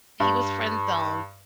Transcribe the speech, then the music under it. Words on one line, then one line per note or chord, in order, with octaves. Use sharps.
he was friend zoned
G2